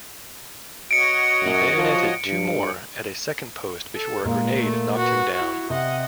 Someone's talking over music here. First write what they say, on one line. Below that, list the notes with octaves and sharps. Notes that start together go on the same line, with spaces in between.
He bayoneted two more at a second post before a grenade knocked him down.
F#4 C#5 D#5 C#7 D7
F#2
F3
G2
A4
A#2 G#3 A#4 F5
A3
F#4 B4
E4 F#4
C3 D#5 F#5